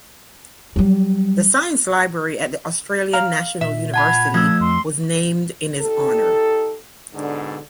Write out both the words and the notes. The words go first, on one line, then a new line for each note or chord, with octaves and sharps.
The science library at the Australian National University was named in his honour.
F#3 G3
F5 A#5
A#2 E5
F#5 A5 B5 G#6
F3 A3 E6 G#6
F2 C6
D#4 G4 A4
G#2 B2 D3